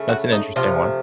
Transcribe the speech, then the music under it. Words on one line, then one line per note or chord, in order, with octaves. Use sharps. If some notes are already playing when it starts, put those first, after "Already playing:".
That's an interesting one.
Already playing: C#3 A3
F#4
D#4
C3 F3 A3 F4